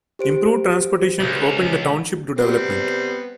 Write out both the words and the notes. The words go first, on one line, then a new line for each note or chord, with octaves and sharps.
Improved transportation opened the township to development.
G4 C5 D7
C#2
G3 B3 C4